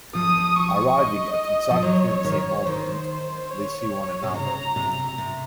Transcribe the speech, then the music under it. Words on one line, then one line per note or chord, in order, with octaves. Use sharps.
Arriving at exactly the same moment, they see one another.
F3 D#6
C#6
D#5
F3
F#3 C#5
D#3
D#3 C5
C#5
C3
C#3 A#5
C3
C3